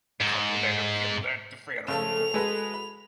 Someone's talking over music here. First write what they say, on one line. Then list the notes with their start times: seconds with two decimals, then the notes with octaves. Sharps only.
The couple then appealed at the Federal Court.
0.21 G#2
1.88 C#3 F3 G#3 A3 A4 F7
2.34 G#3 F#4 G#4 A4 B4
2.74 B5